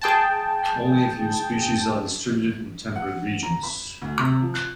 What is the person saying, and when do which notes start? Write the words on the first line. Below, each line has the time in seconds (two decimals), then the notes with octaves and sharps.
Only a few species are distributed in temperate regions.
0.01 G#4 G5 A5
2.96 F#5
3.43 A#5
3.63 B5
4.02 D2
4.19 C3
4.42 F3
4.54 F#6